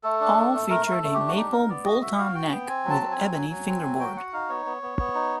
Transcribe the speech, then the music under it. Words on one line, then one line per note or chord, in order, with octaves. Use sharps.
All featured a maple bolt-on neck with ebony fingerboard.
A3 A4
D4
A3
A3
A3 A#4
A3
A4
A3
G4
D4
F#4
D#4 G4
D#4 A#4
B3 D5
F#4 D#5
F#4 E5
F#4 F5
F#4 G5
B3 G5
C4 G#5
F#3
A5
C4
G#5
F#3
F#3
F#3
C4
F#3
F#4 G5
F#4 F#5
D#4 F5
B3 C#5
B3
B3
B3
D#4